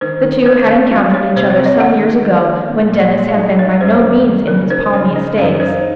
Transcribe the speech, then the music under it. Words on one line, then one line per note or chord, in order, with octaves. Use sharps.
The two had encountered each other some years ago, when Denis had been by no means in his palmiest days.
D#3 C5
D#3
D#3 C5
C#4 F5
F#3 F5
D#4 C#5
C3 C5
C#5
C4
D#5
D#3 F#5
D#3
D#3
D#3
A#2
A#2
G#3
F5
D#4
D#5
G#3 C#5
F#2 C5
D#3
D#3
C#3 A#4
D#4 C5
C#3 C#5
D#4 D#5
F#2 F5
D#4 C5